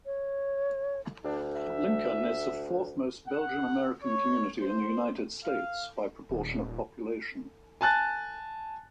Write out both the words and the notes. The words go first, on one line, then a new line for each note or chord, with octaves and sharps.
Lincoln is the fourth-most Belgian-American community in the United States, by proportion of population.
C#5
D2 D4
E5
F#5
C#5
C5
F5
D#1
G#5 A5 F#6 A6